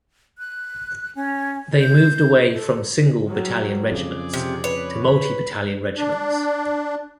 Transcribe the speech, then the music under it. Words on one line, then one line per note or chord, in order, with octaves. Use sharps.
They moved away from single battalion regiments to multi battalion regiments.
F#6
C#4
G6
A4
F#3 G3
F2 C#3 G#4 D5
C3
B4 C#5
B5
D4